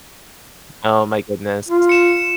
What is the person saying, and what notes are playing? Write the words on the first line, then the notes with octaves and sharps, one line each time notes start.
Oh my goodness.
F4
C#7 E7